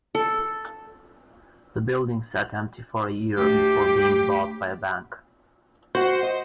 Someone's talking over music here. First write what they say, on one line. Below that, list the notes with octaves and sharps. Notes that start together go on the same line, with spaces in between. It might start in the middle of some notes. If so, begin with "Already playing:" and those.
The building sat empty for a year before being bought by a bank.
A4
D2 G4
F#4 C5 F#5
D#5